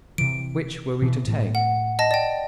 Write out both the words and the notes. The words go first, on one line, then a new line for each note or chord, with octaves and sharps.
Which were we to take?
C3 E3 D7
B2 E3
A2
F#5
D#5 A5 A#6
D5 G5